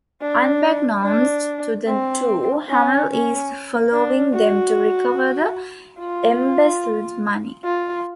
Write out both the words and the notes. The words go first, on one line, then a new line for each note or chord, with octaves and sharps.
Unbeknownst to the two, Hummel is following them to recover the embezzled money.
D4
D4
C4
C#4
C#4
D4
F#4
F4
F4